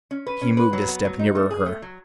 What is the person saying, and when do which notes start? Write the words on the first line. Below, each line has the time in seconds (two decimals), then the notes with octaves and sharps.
He moved a step nearer her.
0.11 C#4
0.27 B4
0.41 C#4
0.57 B4
0.73 F#3
0.88 B3
1.05 F#3
1.19 D#4
1.35 A3
1.51 G#4
1.66 A3
1.82 F#3